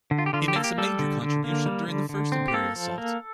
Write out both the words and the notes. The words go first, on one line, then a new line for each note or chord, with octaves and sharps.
He makes a major contribution during the first imperial assault.
D3
F4
G4
D3 F4
G4
A#3 A4
G4
G3 A4
D3
D3
A#3
G3
D3
D3
C4
G4
A#3 A4
F3
A#3